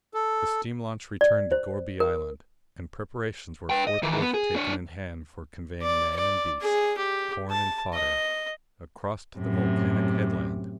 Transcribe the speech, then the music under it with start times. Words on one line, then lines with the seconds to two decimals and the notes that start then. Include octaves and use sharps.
The steam-launch returned to Gourbi Island, and preparations were forthwith taken in hand for conveying man and beast, corn and fodder, across to the volcanic headland.
0.14 A4
1.21 D5
1.52 C5
2.00 A#4
3.70 B4 G5
3.87 D#5
4.02 D#3 E3
4.21 B3
4.34 G#4
4.56 D4 C#5
5.82 D5
6.16 D5
6.61 G#4
6.97 G4
7.51 A5
7.94 D#5
9.38 F#2 A2 C3